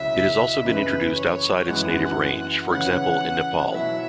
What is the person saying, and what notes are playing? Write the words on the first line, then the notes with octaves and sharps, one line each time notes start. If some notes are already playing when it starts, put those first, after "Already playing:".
It has also been introduced outside its native range, for example in Nepal.
Already playing: C#2 B2 F#3 C#4 E4 E5
F#2 C#3 E3 B4
C#5
F#2 E3 G#3 E4 F#5
C#3 E3 C#4 F#5
B2 F#3 E4 E5